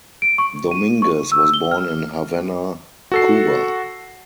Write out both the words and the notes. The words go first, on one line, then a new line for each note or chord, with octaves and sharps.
Dominguez was born in Havana, Cuba.
D7
C#6
D#7
C#6
E6
G7
F6
F#4 A4 C7